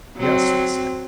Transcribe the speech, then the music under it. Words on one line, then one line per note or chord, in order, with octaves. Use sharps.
"Yes," I said.
F#3 C4